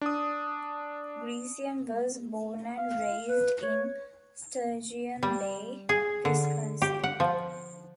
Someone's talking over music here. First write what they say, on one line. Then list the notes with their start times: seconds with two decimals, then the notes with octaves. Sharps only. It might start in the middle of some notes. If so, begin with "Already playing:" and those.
Greisen was born and raised in Sturgeon Bay, Wisconsin.
0.01 D4 D#6
2.78 F5
3.29 B4
3.63 C#5
5.23 G3
5.89 G#4
6.25 D3
6.82 G4
7.04 F#5
7.20 F3